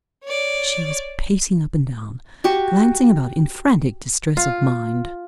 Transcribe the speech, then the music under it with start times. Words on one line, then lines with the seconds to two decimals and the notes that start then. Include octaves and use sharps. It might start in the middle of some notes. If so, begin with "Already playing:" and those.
She was pacing up and down, glancing about in frank distress of mind.
0.24 C#5 D5
2.44 F#4 G4 C#6
4.37 F4